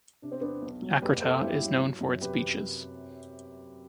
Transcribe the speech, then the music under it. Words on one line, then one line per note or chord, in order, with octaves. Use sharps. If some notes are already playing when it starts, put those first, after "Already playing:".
Akrata is known for its beaches.
C3 D4
C4
E2 B3 D4
B1
F#3
F#1 G4 B4
E2 A4 C5
G2 E4 G4
F#3
F#3
F#2
C3 G4 B4